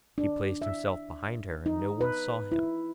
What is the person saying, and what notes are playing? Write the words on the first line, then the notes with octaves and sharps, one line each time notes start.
He placed himself behind her, and no one saw him.
D4
E5
D#4
B4
E4